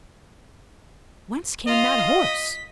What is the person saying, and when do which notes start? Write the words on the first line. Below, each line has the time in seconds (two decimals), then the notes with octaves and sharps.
Whence came that horse?
1.67 F4 D#5 F5
2.20 B6